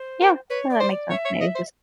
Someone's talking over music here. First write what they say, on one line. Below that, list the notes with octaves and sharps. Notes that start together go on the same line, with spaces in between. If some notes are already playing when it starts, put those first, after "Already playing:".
Yeah. No, that makes sense maybe just
Already playing: C5
A#4
B4 C#5
D5
C5
D5
C#5 E5
C#5
D#5
C5